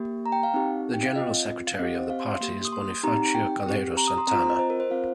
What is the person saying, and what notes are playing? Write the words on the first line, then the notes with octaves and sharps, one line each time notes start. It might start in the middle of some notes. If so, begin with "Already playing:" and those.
The general secretary of the party is Bonifacio Calero Santana.
Already playing: A#3 G4
A#5
G5
F5
C4 D#4 G4
G5
F5
C4 F4 D#5
F5
C4 G4 D#5
C5
F5
C6
C6
A#3 G4
D#6
C6
C4 D#4 G4 A#5
G5
C4 G4
A#5
D#6
C6
C4 A#5
F4
C5
D#5
C5
A#4
C5
C4 F4 F5